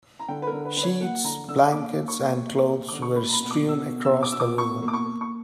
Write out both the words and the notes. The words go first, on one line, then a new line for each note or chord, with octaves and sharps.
Sheets, blankets, and clothes were strewn across the room.
A#5
D3 G5
B4
A#4
D3
B4
D3 B4
C#5
A#3 F#5
D3 A#5
D3 E6
A#3 D6
A#3
C#6
A#3
A#3
A#3
D3 D6
C#6
A#3 B5
A#5
B5
B2
D6
B2
E6
B2
E6
B2
D6
B2 E6
D6
B2 C#6
A#3
D6
C#6
A#3
C#6